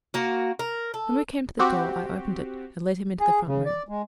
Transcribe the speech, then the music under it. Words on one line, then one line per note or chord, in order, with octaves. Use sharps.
When we came to the door, I opened it, and led him into the front room.
A#3 F#4
A#4
A4
C4 F#4 G4
G#4
C#3
D5
G#3